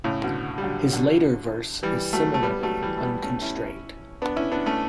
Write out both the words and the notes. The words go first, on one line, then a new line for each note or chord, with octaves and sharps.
His later verse is similarly unconstrained.
A2 C#3
B2 D3
G3
D3 F#3
D3 F#3
E3 G3
F#3 A3
A3
G3 B3
F#3 A3
E3 G3
A3
G3 B3
A3 C#4
C#4 E4
B3 D4
C#4 E4
B3 D4
A3 C#4